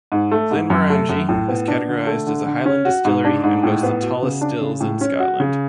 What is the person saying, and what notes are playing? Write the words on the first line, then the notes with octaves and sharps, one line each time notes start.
Glenmorangie is categorised as a Highland distillery and boasts the tallest stills in Scotland.
G#2
A3
G#2
F#2
A3
F#2
A2
B3
D4
D3
A3
D3
D3
C#4
F#4
G#2
D4
G#2
A2
B3
F#4
C#3
D4
C#3
A2
C#4
F#4
C#3